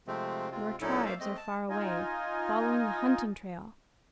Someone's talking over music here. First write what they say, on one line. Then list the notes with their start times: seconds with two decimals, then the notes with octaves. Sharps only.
Your tribes are far away - following the hunting trail.
0.07 C3 F3 G#3 A3 C4
0.52 C3 G#3 C4 F4
0.81 A#2 F#3 C#4 D#4 E4 A4
1.06 A3 A#3 C5 D5 E5 F5
1.20 G#3 A3 C4 D#5
1.37 A5
1.69 D#4 F4 D#5 G#5